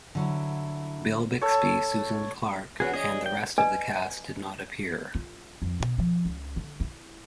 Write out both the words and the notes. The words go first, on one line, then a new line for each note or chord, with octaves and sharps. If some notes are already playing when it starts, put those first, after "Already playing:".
Bill Bixby, Susan Clark, and the rest of the cast did not appear.
D3 F#3 E4
A4 C#5
E2 B3 C#4 F#4 G#4
E3 C#4 G#4 D5 D#5
G5
B4 D5 D#5 G#5
F4
F2
B2
F3
C#2
D3
E4